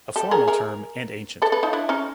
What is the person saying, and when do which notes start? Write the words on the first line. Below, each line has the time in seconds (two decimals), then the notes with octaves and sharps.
A formal term, and ancient.
0.16 G4 A4
0.31 G#4 A#4
0.48 G#4 A#4
1.42 A4 B4
1.52 A4 B4
1.63 D#4 F4
1.73 D4 E4
1.89 C#4 D#4